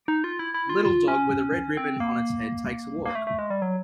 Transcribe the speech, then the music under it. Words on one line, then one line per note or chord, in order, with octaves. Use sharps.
A little dog with a red ribbon on its head takes a walk.
D#4
F4
E4
E4
F4
F4
C#4
C4
A#3
A#3
A3
A3
G#3
G3
F#3